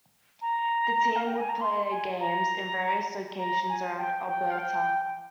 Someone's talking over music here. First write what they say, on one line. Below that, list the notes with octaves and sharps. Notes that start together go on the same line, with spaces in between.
The team would play their games in various locations around Alberta.
A#5
F5
G5
G#5
A#5
C6
G#5
A#5
A#5
G#5
G5
G5
F5
G5